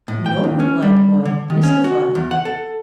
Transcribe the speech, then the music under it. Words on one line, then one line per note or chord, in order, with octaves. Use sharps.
"No," replied the boy, mystified.
A2
G5
D#2
C#4
G3
D3
D#3
C#4
F#4
E2
F#5
A4